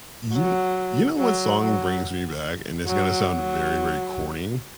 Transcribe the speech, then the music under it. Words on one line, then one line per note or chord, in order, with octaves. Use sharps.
You you know what song brings me back? And it's gonna sound very, very corny,
F#3
F#3
F#3
F#3
F#3